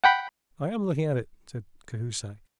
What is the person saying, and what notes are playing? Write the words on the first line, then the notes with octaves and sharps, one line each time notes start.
"I am looking at it," said Cahusac.
F#5 G5 B5